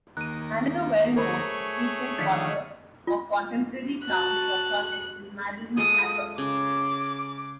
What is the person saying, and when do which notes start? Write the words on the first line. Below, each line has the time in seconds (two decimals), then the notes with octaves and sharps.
Another well-known and frequent author of contemporary crowns of sonnets is Marilyn Hacker.
0.17 D#2 A#3 F#6 D#7
1.16 A3 G#4 A#4 C5 C#5 B5
2.18 D3 D#3 F3 A6 B6 C#7
3.07 F4
4.05 F#4 A5 F#6
5.77 G#3 F4 A4 D#6
6.38 C#3 D6